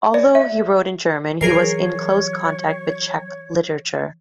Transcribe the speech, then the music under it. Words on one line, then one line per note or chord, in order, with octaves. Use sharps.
Although he wrote in German, he was in close contact with Czech literature.
D5
E5
E3 F#3 G#4 A#4 C#5 C7